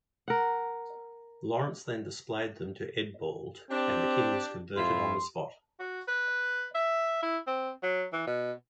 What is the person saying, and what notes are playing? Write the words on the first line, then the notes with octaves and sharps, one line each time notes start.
Laurence then displayed them to Eadbald, and the king was converted on the spot.
A#4 F#5
C4 D4 G4
F2 E4 F4 C6
F#4
B4
E5
E4
C4
F#3
E3
B2